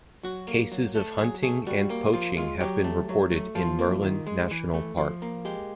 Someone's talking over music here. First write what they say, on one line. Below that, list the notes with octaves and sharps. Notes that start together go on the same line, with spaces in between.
Cases of Hunting and poaching have been reported in Murlen National Park.
F#3 F#4
A#3
F#3
A3
F#3 G#4
A3 G#4
G3 F#4
A#3
F3 F4
G#3 F4
F#3 G4
A3
F#3
A3
F3 F4
A#3
D#3
G#3
E3
A3
F3
A#3
G#3 G4